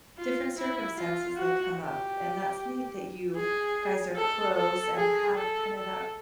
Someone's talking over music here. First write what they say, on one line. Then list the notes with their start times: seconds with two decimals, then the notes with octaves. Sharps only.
different circumstances that come up, and that's neat that you guys are close and have kinda that
0.17 F4
0.57 E4
0.97 F4
1.37 F#4
1.77 G4
3.36 G#4
4.15 A4
4.55 A4
4.95 G#4
5.35 A4
5.75 A4